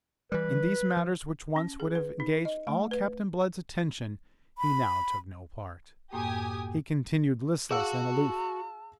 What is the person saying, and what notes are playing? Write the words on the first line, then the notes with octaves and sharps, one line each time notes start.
In these matters which once would have engaged all Captain Blood's attention, he now took no part. He continued listless and aloof.
E3 G3 B4
F3
C#4
G#4
B4
D#4
D#5
A3
B4
B5
F#2 A2 A#3 G4 G#5 D#6
F#4 G#4 F5 F#5 A5 E6